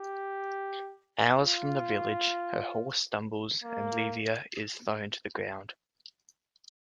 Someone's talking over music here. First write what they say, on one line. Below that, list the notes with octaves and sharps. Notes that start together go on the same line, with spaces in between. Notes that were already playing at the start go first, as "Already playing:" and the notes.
Hours from the village her horse stumbles and Livia is thrown to the ground.
Already playing: G4
F4
A#3